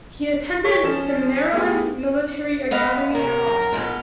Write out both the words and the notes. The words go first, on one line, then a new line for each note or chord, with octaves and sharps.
He attended the Maryland Military Academy at Oxford.
A4 C#5 C#6
F3 C#4 A4 E7
A3 B3 G4 G#4
B3 D#5 F5
C3 C#4 A#4
F#2
B2 G#3 F4